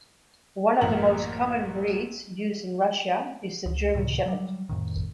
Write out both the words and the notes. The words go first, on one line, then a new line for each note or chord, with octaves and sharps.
One of the most common breeds used in Russia is the German Shepherd.
A1 F#2 A#3 A#5 F#7
C#2
C#2 A2 C3 D#3
F#3 G3
F2 A2 D#3